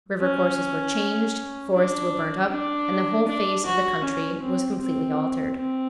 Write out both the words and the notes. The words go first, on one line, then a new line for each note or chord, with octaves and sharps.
River-courses were changed, forests were burnt up, and the whole face of the country was completely altered.
C#4
D4
D4
D4
F#4
C#4
C4
C4
C4